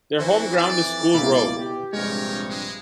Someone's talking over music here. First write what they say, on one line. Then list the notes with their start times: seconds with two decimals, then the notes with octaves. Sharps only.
Their home ground is School Road.
0.19 F2 E3 C4 E4 F#4 C5
0.57 D5
1.14 C#2 B2 A#3 E4 B4
1.57 G4
1.93 A#1 G2 C3 G#3 D#4 A#4 C#5
2.49 G#3